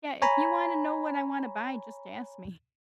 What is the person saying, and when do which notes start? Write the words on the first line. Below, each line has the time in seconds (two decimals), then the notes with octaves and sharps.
Yeah, if you wanna know what I wanna buy, just ask me.
0.22 C#5 G#5 A#5 B5